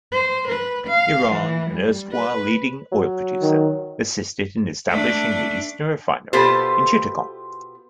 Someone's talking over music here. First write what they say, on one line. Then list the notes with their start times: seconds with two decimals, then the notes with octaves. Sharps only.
Iran, an erstwhile leading oil producer, assisted in establishing the Eastern Refinery in Chittagong.
0.12 C5
0.48 B4
0.88 F5
1.33 E3
1.71 G3
2.12 B4
2.92 F#3
3.42 D#3
4.88 A3 D4
6.33 B2 B3 F4 G4 A4 C5